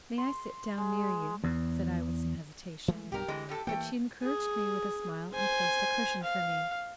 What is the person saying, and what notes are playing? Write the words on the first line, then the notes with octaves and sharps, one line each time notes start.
"May I sit down near you?" said I with some hesitation; but she encouraged me with a smile and placed a cushion for me.
C6
G#3
E2
E3 G#3 A3
B1 G2 G3 G4 A#4
D3 E3 G#3
A2 G4 A4
E3 A3 A#3 G5
G#4
C5 G#5
F5